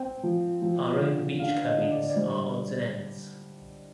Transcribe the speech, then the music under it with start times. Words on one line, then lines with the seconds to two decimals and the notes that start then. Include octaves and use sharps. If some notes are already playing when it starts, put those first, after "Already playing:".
Our own beachcombings are odds and ends.
Already playing: C4 G5
0.23 F3
0.62 F3
1.00 D3
1.39 D3 F5
1.65 D#5
1.78 D3
1.90 D5
2.09 D5
2.16 G3 C5